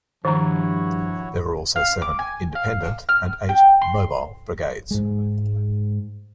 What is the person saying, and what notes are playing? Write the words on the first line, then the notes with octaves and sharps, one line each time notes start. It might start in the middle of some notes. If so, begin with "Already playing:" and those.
There were also seven "independent" and eight "mobile" brigades.
G2 D#3 F3 E4 F#4 C#5 A#5
F5
D6
G#5
F5
F6
G5
C6
G#2 G#3